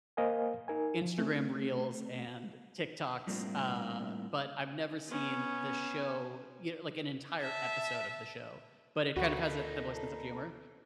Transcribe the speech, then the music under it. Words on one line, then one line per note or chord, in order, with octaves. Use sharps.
Instagram reels and TikToks, uh, but I've never seen the show, you know like, an entire episode of the show. But it kind of has a similar sense of humor.
A#3 A#4 C5 D#5 F5 G#5
D#4 A#4 G#5
F3
A3 C4
A2 G3 A#3 C4 D4 F4
B3 C#4
E5 A5
D2 A#2 D#4 F#4 A4 B4